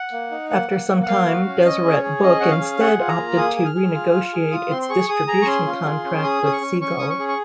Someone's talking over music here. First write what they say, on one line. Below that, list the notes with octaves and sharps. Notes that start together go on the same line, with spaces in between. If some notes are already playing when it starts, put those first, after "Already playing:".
After some time, Deseret Book instead opted to renegotiate its distribution contract with Seagull.
Already playing: F#5
A#3
D#4
A#3 F#5
A#3
A#3
F#5
A#3 F5
F#4
C#4
C#4 D#5
G#4
C#5
G#4
C#4 D#5
C#4 F#5
F5
G#4
G#4 F#5
F4
A#5
A#3
G#4 D#6
G#4
F6
G#4
F4
F4
G#4
F4 D#6
C4 C6
C6
G#4 C#6
G#4 D#6
G#4 A#5
C#6
C#4 C6
F4
G#4
C#4
G#4 D#6
C#4 D#6
C#6
C#4
C#4 C#6
C#4 D#6
C#6
G#4
C#6